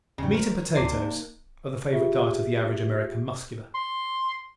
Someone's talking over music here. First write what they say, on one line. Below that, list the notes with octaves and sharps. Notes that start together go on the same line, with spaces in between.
"Meat and potatoes" are the favorite diet of the average American Muscular.
E2 G#2 C#3 G3
A#4 C5
D2 C3 D4 D6 C7
A#3 D#4 A#4
F4 G4 G#4 E5
C6